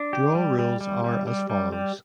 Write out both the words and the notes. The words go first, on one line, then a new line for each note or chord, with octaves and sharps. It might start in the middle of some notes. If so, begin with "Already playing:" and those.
Draw rules are as follows.
Already playing: D4
G4
G3
G3
G3
G3
G3
G3
G3